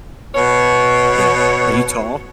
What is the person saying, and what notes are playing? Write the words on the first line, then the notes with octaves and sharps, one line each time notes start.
Yeah. Are you tall?
B2 C#5